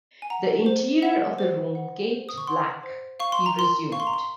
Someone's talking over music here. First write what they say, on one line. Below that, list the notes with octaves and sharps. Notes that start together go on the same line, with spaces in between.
"The interior of the room gaped black," he resumed.
G#5
F#5 A#5
C5
F#5
C5
F#5
C5
D#6
C#6
F#5 C6
C5
F5 C#6
C6
A#5
A#4 C6
F5 C#6
C6
A#5
C6